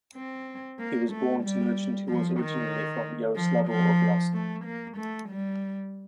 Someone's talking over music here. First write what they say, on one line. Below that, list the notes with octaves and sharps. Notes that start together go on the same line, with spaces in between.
He was born to merchant who was originally from Yaroslavl Oblast.
C4
A#3
A3
G3
F3
D#3
F3
F3
A3
A#3
A3
G3